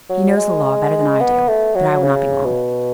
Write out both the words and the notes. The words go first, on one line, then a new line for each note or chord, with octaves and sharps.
"He knows the law better than I do; but I will not be long."
F#3
G#3
B3
A3
F#3
C#3
B2